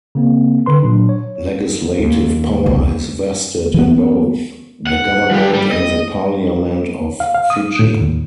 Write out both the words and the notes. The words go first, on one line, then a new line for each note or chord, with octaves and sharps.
Legislative power is vested in both the government and the Parliament of Fiji.
C#3 A#3 C4
D3 B4 C6
A#2 F#3 D4
C#5
D#2
C#2
E3 B3
F#5
F3 G4
G3
D#5
F5
F5
D#6
A2
D#2